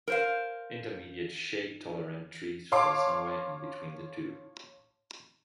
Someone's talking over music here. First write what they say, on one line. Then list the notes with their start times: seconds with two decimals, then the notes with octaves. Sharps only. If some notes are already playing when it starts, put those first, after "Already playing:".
Intermediate shade-tolerant trees fall somewhere in between the two.
0.08 A#4 C5 F5
2.72 C#5 F5 A5 C6 D6